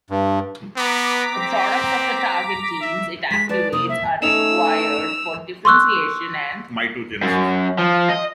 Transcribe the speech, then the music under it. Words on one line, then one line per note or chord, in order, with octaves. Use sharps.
The products of target genes it activates are required for differentiation and mitogenesis.
G2
B3 A#5 D6 B6
C4
E5
G#3 G#4 B6
G#3 B4 D5 A5
C3 A#3 D#6
E5
A3 C#4 D#4 C#5 E6 E7 F7
C6 C#6 E6 F#6
F#2
F3
D#5